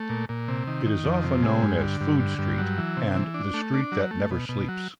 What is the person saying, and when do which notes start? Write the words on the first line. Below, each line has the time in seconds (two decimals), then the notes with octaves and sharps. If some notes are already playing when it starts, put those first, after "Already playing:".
It is often known as "Food Street" and "The Street that Never Sleeps".
Already playing: A3
0.09 A#2
0.29 A#2
0.48 C3
0.67 D#3
0.86 D#3
1.05 F2
1.24 C3
1.43 G#3
1.63 G2
1.81 D3
2.01 G2
2.20 D3
2.38 G2
2.58 F#3
2.78 E3
2.97 C3
3.15 E3
3.34 D4
3.54 A3
3.74 D4
3.92 F#3
4.11 A3
4.31 B2
4.49 B2
4.69 F#3